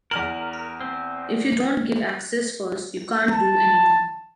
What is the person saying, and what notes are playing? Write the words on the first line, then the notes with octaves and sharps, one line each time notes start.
If you don’t give access first, you can’t do anything.
E2 A#4 F6 F#7
C4
A5